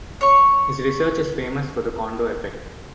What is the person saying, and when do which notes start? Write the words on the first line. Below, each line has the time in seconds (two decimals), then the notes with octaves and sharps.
His research is famous for the Kondo effect.
0.21 C#5 C#6